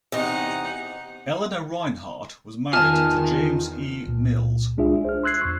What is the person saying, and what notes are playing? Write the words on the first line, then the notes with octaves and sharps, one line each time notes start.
Eleanor Reinhardt was married to James E. Mills.
E2 C3 D#4 D#5 F#5
E2 D#3 F4 G#5 A5 F6
C#2 A#2
C2 G#3 D4 F4 G#4 E5
C5 F6
C6 E6 F#6 G#6 C7
E2 C#6